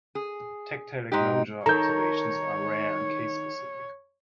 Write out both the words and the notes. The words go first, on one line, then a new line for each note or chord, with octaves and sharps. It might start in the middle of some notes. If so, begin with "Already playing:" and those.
Tactile agnosia observations are rare and case-specific.
G#4
G#2 D#4 G4
D#3 A4 C#5 A#5 G6